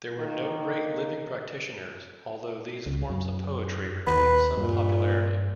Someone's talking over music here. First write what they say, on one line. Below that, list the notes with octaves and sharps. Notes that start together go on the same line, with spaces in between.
There were no great living practitioners although these forms of poetry retained some popularity.
D#3 A#3
C#2
F#2
D#2 B4
G2 A#2